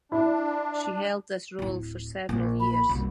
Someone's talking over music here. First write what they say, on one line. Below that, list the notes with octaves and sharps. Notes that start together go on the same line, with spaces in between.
She held this role for several years.
D4 E4
D1 E4
A#1 A#3
B5
F#1 C2